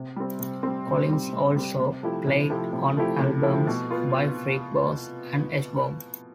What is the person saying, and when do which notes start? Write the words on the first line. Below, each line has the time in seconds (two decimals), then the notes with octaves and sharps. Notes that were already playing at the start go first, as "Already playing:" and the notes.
Collins also played on albums by Freekbass and H-Bomb.
Already playing: C3
0.16 G3 C4
0.40 C3
0.63 G3 C4
0.87 C3
1.09 G3 C4
1.33 C3
1.56 G3 C4
1.80 C3
2.03 F3 A3 E4 G4
2.27 C3
2.50 F3 A3 E4 G4
2.73 C3
2.97 F3 A3 E4 G4
3.20 C3
3.43 F3 A3 E4 G4
3.67 B2
3.90 B3 F4